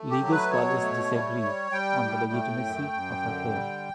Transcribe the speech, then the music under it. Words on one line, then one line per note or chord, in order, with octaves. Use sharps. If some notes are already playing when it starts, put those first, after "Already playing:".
Legal scholars disagree on the legitimacy of her claim.
Already playing: A3
G4
F#3
B4
B2 C#5
A3
G3
G3
G3 G5
A2
A3
F#2
F#2
D3
G3